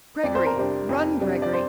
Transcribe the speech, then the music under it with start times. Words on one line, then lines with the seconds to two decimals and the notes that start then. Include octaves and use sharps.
Gregory! run, Gregory!
0.23 F2 D5
0.35 C5
0.47 A#4
0.56 C3 G3 D4 C5
0.89 F2
1.21 C3 G3 D4
1.42 D5
1.53 C5